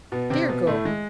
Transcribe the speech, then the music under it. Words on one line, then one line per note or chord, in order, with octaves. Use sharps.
Dear girl!
B2 B3
C3 C4
B2 B3
A2 A3
G#3